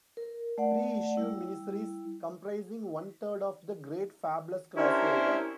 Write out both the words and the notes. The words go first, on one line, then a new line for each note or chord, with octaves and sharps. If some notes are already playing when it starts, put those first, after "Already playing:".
Three issue miniseries comprising one third of "The Great Fables Crossover".
A#4
A3 D5 F#5
G3 E4
C#4 D4 E4 G4 A#4 C5